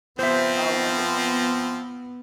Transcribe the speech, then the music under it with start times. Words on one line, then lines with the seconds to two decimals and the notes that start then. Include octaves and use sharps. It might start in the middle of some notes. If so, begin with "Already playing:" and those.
Oh, wonderful.
0.19 F3 B3 C4 C5 E5